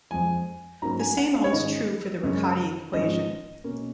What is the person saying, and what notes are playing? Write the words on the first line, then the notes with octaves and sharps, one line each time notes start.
The same holds true for the Riccati equation.
F2 F3 G#3 G#5
G#2 F#3 A#3 C#4 A#5
G#5
F#5
F5
C#5
G#2 D#3 G#3 C#4 D#5
F#2 C#3 G#3 C#4
G#2 F3 G#3 C#4 D#5
B2 A#3 C#4